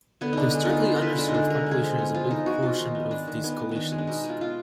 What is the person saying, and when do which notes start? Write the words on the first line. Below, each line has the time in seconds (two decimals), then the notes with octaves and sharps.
The historically underserved population is a big portion of these coalitions.
0.21 D3 B3
0.33 D3 D4 D#4
0.54 G#3
0.65 B3 D#4 F4
0.86 D3
0.96 A#4
1.02 D3 B4
1.18 G#3 D4
1.29 D#4
1.34 D3 D4
1.50 G#3 A#4
1.66 G#3
1.71 G#4
1.82 F3
1.99 B3
2.14 F3 F4
2.31 F3 D#4
2.46 G#3 F#4
2.62 F3 F4
2.79 D#3 D#4
2.95 B3
3.11 G#3 D4
3.27 D#3
3.44 D#3 B3
3.60 D#3
3.71 D#3 B3 D4
3.92 G#3
3.98 D4
4.07 B2 D#4
4.24 G#3
4.29 F4
4.40 B2 F4